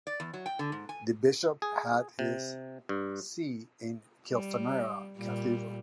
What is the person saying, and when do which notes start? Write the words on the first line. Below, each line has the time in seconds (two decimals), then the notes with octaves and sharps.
The bishop had his see in Kilfenora Cathedral.
0.07 D5
0.20 E2
0.34 F#3
0.46 G5
0.59 D3
0.72 G#2
0.89 G#5
1.62 G#4
2.19 C3
2.89 G2
4.30 G3
5.17 A#2 G3